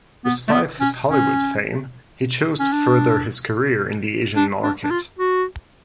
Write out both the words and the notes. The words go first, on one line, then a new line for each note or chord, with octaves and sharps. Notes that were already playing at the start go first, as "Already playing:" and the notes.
Despite his Hollywood fame, he chose to further his career in the Asian market.
B3
A3
B3
C#4
C#4
C#4
D4
D4
D4
D4
F4
F#4